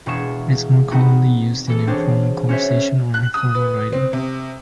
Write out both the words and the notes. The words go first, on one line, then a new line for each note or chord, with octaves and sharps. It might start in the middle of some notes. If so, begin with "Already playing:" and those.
It is more commonly used in informal conversations or informal writing.
E1 G#4 C#6 E7
B3 C4 D#4 F#4
E3 A4
C4 D4 F#4 G#4 C5 C#5
C#4 F#4 C5 C#5 E5
F#6
D#6
B4
C4
C3